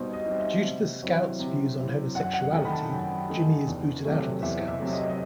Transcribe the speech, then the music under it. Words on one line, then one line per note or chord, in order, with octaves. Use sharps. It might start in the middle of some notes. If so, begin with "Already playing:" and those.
Due to the scouts' views on homosexuality, Jimmy is booted out of the scouts.
Already playing: B2 G3 D#4 C5 D#5
D#5
G3 C4 D#4
E5
C3
F#3 C4 E4
C3
F#3 C4 E4
F#2 F#5
F#5
D#3 A3 D#4 G5
B5
A5
F#2
D#3 A3 D#4
E2
C3 F#3 A3
E2 E5
E5
C3 F#3 A3
D#5
D#5